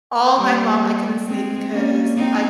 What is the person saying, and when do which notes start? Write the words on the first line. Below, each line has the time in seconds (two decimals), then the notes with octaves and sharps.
All night long, I couldn't sleep because I c
0.37 G3 A#3
1.27 G#3 C4
1.72 A#3 C#4
2.16 C4 D#4